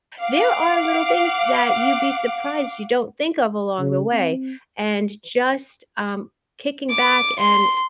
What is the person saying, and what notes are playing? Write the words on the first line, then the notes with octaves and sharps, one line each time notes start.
There are little things that you'd be surprised you don't think of along the way, and just, um, kicking back and
F5 F#5 D6
C#3
C4
D6
C6